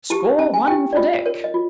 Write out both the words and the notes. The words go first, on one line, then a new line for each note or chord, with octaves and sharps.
Score one for Dick.
E4 G4 A5
C#4 A5
G#5
E4 G4 G5
D5
F4 D#5
A#4 C#5
D#5
F4